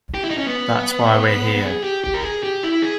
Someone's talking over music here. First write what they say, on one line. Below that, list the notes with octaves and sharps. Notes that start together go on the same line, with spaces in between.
That's why we're here.
G4
E4
D#4
C#4
B3
G#4
G4
G4
A#4
G#4
G4
E4
G#4